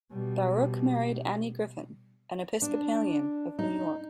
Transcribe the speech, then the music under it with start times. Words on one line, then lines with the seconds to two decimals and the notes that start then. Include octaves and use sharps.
Baruch married Annie Griffin, an Episcopalian, of New York.
0.11 B2 G3
2.62 D4
3.59 D#4